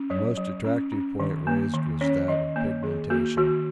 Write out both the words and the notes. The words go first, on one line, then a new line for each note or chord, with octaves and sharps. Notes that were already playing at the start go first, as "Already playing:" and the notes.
The most attractive point raised was that of pigmentation.
Already playing: C#4
F#3 C#5
F#3
C#4
C#4
D#3
A#3
D#3
C#4 C#5
D#3 D#5
A#3 C#5
D#3 G#4
A#3 F#4
D#3 F#4